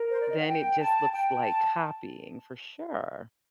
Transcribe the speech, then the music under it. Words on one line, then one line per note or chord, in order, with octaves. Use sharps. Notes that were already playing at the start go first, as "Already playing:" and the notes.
then it just looks like copying for sure.
Already playing: A#4
C5
D5
D#5
F#5
G5
A5
G5
A5